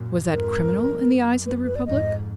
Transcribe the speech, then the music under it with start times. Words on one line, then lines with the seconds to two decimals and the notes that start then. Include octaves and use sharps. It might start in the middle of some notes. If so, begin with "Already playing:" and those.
Was that criminal in the eyes of the Republic?
Already playing: F#2 A#2
0.30 F2 G#2 A#4
1.08 F#2
1.46 B4
1.66 B4
1.75 D5
1.86 F2 G#2 D#5